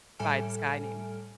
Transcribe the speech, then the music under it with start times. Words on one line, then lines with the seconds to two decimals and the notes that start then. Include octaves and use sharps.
by this guy named,
0.19 A2 G3 A4 G#5 F6 D7